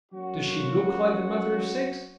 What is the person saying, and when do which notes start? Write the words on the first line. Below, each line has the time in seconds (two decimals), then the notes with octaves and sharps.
'Does SHE look like the mother of six?'
0.12 F#3 A#3 C#4 F#4